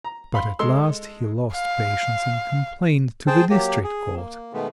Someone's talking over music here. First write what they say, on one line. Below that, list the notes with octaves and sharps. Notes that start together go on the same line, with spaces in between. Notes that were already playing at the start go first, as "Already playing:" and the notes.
But at last he lost patience and complained to the District Court.
A#5
F5 B5 C6
G#3 A4 C6 E6
F5
G#4 C5 G5 A5
F#3 A#3 G4
G#4
A#3
B2 D#3 G#3 A3 B3